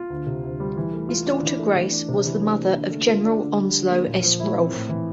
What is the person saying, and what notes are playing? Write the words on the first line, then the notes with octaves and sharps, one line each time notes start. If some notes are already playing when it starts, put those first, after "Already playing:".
His daughter Grace was the mother of General Onslow S. Rolfe.
Already playing: F4
D2
C3
D2
G3
E3
A3
F4
D4
E3
A3
E3
D4
C3
E3
D4
A#3
D3
A3
F4
D4
D3
G3
D3
A#3
A#2
F3
E4
C4
A2
E3